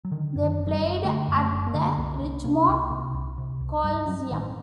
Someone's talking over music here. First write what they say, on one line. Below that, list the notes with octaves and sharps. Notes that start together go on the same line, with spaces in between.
They played at the Richmond Coliseum.
F#3
D3 D#3
F#2
D#3
F#1
F#3
G3
F#1
D3 A3
F#2
A3
F#1
A#3
D3 A3
A#3
C2 A#3
C2
C3 A#3
C2
C3
C2
C3
C2
G2 G3
G2 F#3
A1 D#3